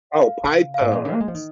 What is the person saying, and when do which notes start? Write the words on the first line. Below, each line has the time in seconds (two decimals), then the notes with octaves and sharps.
Oh, pythons.
0.14 F5
0.44 C#3
0.74 F5
0.80 G#2
0.89 A#2 D#5
1.05 C#3
1.13 A#3
1.20 G#3
1.28 F3
1.34 D#3